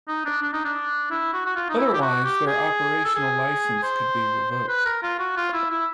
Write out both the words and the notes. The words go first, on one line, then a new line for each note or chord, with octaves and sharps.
Otherwise their operational license could be revoked.
D#4
D4
D4
D#4
D4
E4
F#4
F#4
F4
D#4
E4
G4
F#4
G4
G#4
A4
G#4
C5
C5
B4
A#4
F4
F#4
F4
E4
E4